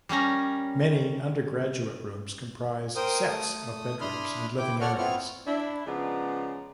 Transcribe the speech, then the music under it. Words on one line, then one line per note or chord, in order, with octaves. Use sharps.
Many undergraduate rooms comprise 'sets' of bedrooms and living areas.
G3 A#3 C#4 A#5
A#4 C5 G5 D#6
A3 D#6
D4 E4 B5 C6 D#6 F6
E4 G5 D6
A4 C#5 D5 F#5 C#6 F6
B3 C4 E4 F4 C#6 F6
D4 E4
C#3 F3 G#3 B3 D5 A#5